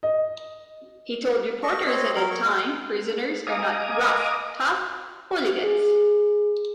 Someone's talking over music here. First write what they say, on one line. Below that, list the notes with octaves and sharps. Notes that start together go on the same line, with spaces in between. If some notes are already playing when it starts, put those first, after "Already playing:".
He told reporters at the time, Prisoners are not rough, tough hooligans.
D#5
D#5 C#6
C4 C#5 D#5
F#3 A#4
C#6
G#3
D#5 F5 G#5 A#5 D6 D#6
G#4